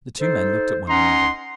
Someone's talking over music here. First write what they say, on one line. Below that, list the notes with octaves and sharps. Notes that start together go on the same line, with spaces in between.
The two men looked at one another.
D#4 A4 C5
C#4 D#4 F#5 A#5 C6